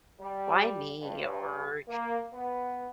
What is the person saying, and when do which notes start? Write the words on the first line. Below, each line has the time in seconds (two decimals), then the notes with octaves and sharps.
"Why me?" or
0.21 G3
1.01 G2
1.88 A#3
2.33 B3